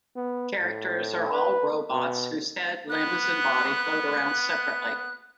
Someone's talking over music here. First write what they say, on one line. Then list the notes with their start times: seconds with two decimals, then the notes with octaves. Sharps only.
Characters are all robots whose head, limbs, and body float around separately.
0.16 B3
0.60 A2
1.31 B4
1.91 B2
2.89 B3 F#6